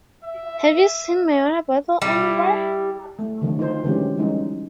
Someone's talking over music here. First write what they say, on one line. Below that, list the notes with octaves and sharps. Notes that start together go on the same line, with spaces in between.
Have you seen my water bottle anywhere?
E5
G3 E4
A3
D3 D#3 F3 F#3 A3
D#4 F4 C5
D3 E3 F#3 G#3 C#4 G4
E3 F3 G3 G#3 C#4 D#4